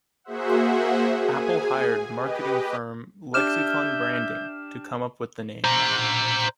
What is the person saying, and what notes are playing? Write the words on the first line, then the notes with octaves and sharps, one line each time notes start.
Apple hired marketing firm Lexicon Branding to come up with the name.
A#3 F#4 G#4 C5 E5 F#5
G#4 G#5
G4 B4 D#5
D4 G4 E5 D6 F6 G6 E7
C5 A#5